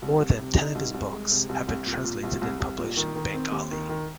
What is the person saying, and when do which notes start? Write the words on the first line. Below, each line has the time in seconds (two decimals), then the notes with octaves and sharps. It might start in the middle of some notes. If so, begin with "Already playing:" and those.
More than ten of his books have been translated and published in Bengali.
0.02 C2
0.20 C2
0.39 C3
0.57 D#4
0.75 C2
0.94 C2
1.13 G#3
1.31 C3
1.49 C2
1.68 C2
1.86 A#2
2.04 A#2
2.23 C2
2.41 C2
2.60 C2
2.79 A#2
2.97 D#3
3.15 D#3
3.34 C4
3.52 D#2
3.71 D#3
3.89 D#3